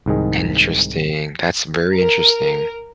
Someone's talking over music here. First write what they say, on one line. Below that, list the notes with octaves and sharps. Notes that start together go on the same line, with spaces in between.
Interesting, that's very interesting.
C2 G#2 D#3 G#4
A#4